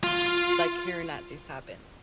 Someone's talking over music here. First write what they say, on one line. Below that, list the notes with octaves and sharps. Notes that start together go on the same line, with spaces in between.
like, hearing that this happens.
F4